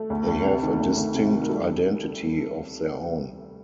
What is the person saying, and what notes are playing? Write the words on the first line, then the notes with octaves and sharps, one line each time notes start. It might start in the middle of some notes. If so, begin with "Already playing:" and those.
They have a distinct identity of their own.
Already playing: A3
D2
D2
C3
D#3
D2
D2
C3
D#3
A#4
G3 A4